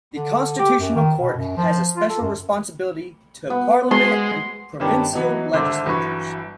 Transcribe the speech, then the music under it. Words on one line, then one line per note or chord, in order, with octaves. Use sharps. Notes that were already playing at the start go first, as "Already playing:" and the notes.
The Constitutional Court has a special responsibility to parliament and provincial legislatures.
D3
G4
F#2
D#3
B2
F#2
F3
F4
A4
F#2
B3
G#3 C6
G2 D#3 B3 C#4 D4 G4
E3 F#3 B3 D#4
G#1 D3 C5 E5 D6 G6
G1 E3 F#3 B5 C#6